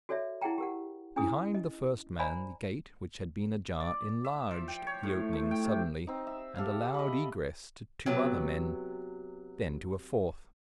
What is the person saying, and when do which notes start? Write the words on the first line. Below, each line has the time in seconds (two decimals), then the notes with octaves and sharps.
Behind the first man the gate, which had been ajar, enlarged the opening suddenly, and allowed egress to two other men; then to a fourth.
0.09 F#4 A4 C#5 D5 E5
0.41 D#4 E4 G#4 F#5 G5 A#5
0.58 G4 A#4 F#5
1.16 C#4 D4 E4 G#4 D#6
1.55 D#5
2.19 C5 D5 F5 G#5 A#5 B5
3.80 D5
4.25 E5
4.51 F3
4.68 G5
4.87 C#5
5.03 A2
5.33 A3
5.51 G5
5.64 C3
6.07 C4 D#4
6.27 E5
6.56 G4 A4 E5 F5
6.94 D#5 B5
8.06 C3 F#3 B3